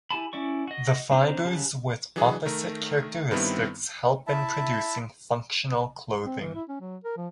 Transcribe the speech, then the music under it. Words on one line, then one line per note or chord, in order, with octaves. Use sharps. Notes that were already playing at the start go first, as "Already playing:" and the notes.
The fibers with opposite characteristics help in producing functional clothing.
E4 G4 G#5 A5 B5
C#4 E4 D5 C#6
F#4 D#5
C4 D4 D#4 C5 A#5
C#3 F#3 G4 A5 F#6
E3 F#3 D4 G#4
D#3 A3 A#4
G2 D#3 G3 B3 C4 E4
E4 E5 A5
C4
E3
E4
C#4
F#3
A#4
F3